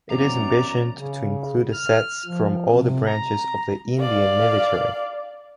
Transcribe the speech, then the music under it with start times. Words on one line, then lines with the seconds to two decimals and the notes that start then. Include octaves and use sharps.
It is envisioned to include assets from all the branches of the Indian military.
0.10 F#2 E3 B3 C4 D5 A#5
0.94 C#3
1.72 F6
2.25 F3
2.70 C3
3.06 A#5
4.00 D5 F5